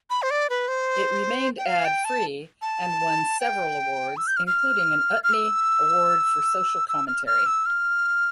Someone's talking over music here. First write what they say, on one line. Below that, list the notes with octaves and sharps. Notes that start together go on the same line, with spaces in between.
It remained ad-free and won several awards, including an Utne award for social commentary.
B5
C5
D5
B4
C5
G5
F5
G5
A5
A5
G5
E6
G6
F6
F6
F6
E6
E6
F6
F6
E6
F6